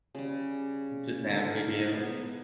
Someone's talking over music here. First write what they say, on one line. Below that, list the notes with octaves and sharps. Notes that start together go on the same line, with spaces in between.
Just nasty to
C#3 G3
D3 A#4
B3